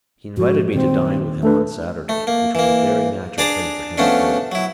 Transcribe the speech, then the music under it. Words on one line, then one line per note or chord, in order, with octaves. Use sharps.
He invited me to dine with him on Saturday, which was a very natural thing for him to do.
G#2 F3 G#3 F#4
A#2 D#3 G3 C4
A3 D4 A4 B4
A3
A#3
E3 A#3
D4 G#4 D5 A5 A#5 D6
F3 A3 B3 C#4 D4
F#3 E4